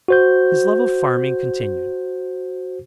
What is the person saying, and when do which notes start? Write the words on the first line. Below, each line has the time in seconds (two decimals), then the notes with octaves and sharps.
His love of farming continued.
0.08 F#4 C5 G6